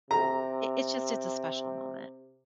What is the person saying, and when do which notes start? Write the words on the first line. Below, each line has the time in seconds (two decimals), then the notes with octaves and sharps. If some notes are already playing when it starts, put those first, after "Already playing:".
it it's just it's a special moment.
0.11 C3 A#5